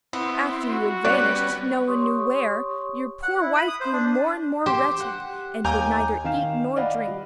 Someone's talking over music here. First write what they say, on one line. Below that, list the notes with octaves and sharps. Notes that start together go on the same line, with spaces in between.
After you had vanished, no one knew where, your poor wife grew more and more wretched, and would neither eat nor drink.
B3 C4 E4
F#4
G3 B3 C#4 C#5 D5 F#6
G4 C#5 C6 C#6 D#6
F#5
E4
B5
D#6
C5
D4
D4
G4 C5
F#5
D#2 G#5 A#5 D6 G6
D#3 F5 E7
D5 D#5 F5 F#5 B5
G3